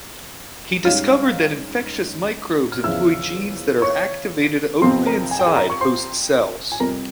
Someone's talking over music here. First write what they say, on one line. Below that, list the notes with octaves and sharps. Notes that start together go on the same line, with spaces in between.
He discovered that infectious microbes employ genes that are activated only inside host cells.
G#2 G3 C#4 F5 F6
F6
E2 C#3 F3 E5 E6
C#5 C#6
F2 C3 F3 C4 C5 C6
A#4 A#5
G#5
G5
G#4 G#5
A#4 A#5
C#6
C5 C6
G#5
F2 C3 G3 A#4 A#5